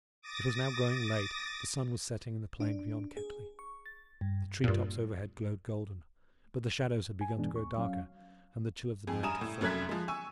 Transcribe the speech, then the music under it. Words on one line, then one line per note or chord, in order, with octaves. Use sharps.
It was now growing late; the sun was setting in the plain beyond Kettley; the tree-tops overhead glowed golden; but the shadows had begun to grow darker and the chill of the night to fall.
D6 D#6 A6 A#6
D4
G#4
C#6
A6
G2
G2 A#2
G#5
G2 B2 E3 G#3 B3 D4
D#2 C#6
F#3 C#4 F5
F2 G#4
G2 G#5 A#5 D#6 E7
A2
F1 F#2 A3 F#6 G#6 B6
F3 G#3
G#5 C#6 E6